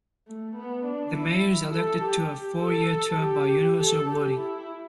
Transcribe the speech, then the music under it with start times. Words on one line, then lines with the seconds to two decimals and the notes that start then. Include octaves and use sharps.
The mayor is elected to a four-year term by universal voting.
0.27 A3
0.56 B3
0.85 D4
1.15 E4
1.74 A4
2.04 G4
2.63 A4
3.20 G4
3.80 A4
4.10 G4
4.38 E4